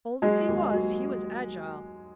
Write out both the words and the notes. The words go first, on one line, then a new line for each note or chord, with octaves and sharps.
Old as he was, he was agile.
F#3 G#3 G#4
D#2
F#3